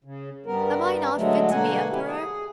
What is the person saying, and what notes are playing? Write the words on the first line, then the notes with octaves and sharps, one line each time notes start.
Am I not fit to be Emperor?
C#3
G2 G3 B3 A#4
D3 F#3 G#3 A3
B2 D3 A#3 F#5 G#5
E4 G4
G#4